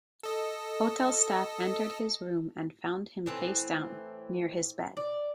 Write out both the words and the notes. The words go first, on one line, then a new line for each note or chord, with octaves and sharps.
Hotel staff entered his room and found him face down, near his bed.
A4 D#5
A2 E3 C4
D5